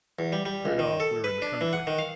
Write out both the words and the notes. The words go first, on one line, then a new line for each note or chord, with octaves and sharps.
Straight off, we were in the country.
E2
G3
G3
C#2
D#3
A4
B4
D4
E3
F#5
D#3
F5